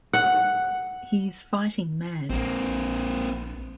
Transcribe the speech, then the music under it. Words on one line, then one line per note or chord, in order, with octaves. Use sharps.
He's fighting mad!
F#5
A#1 A#3 C4